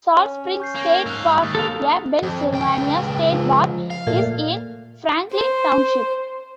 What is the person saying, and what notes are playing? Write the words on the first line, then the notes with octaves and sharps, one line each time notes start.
Salt Springs State Park, a Pennsylvania state park, is in Franklin Township.
C#4
C#6 G6 C7
A#3
G#2 F5 E6 F#6
D#2 D#6 A6
A4 F5
F2
C#2 G5
F3
F5
A#2 A3
C5